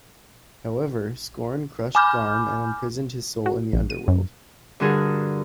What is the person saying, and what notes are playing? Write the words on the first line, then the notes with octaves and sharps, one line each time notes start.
However, Skorne crushed Garm and imprisoned his soul in the Underworld.
G#5 B5 D6 F6 G6
F#4
A#1
D#7
F#2
G2 D3 F#4 G#4 A#4